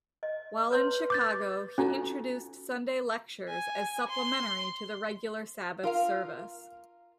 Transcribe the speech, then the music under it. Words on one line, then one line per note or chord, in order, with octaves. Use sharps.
While in Chicago he introduced Sunday lectures as supplementary to the regular Sabbath service.
D#5
B4 C#5 C6
D6 G6 A6
C#4 D#4 F4 F#4 A4
G#5
C6
F4 A#4 F5